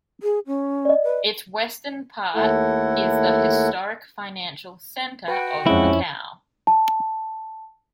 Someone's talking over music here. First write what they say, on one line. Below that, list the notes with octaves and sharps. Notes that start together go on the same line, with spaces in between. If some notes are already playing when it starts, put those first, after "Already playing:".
Its western part is the historic financial centre of Macau.
G#4
C#4
D5 D#5
B4
D#2 A3 E4 A4 F#5
F#4 B4 G5
F2 G#3 C4 C#4 E4
A5